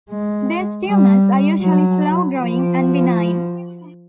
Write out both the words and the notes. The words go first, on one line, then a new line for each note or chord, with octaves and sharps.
These tumors are usually slow growing and benign.
G#3
G3
F#3
F3